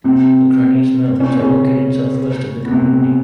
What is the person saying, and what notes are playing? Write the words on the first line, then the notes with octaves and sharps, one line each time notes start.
The Cronese Mountains are located southwest of the community.
C3 C4
C#4
C4
C#3 C#4
B3
C3 C4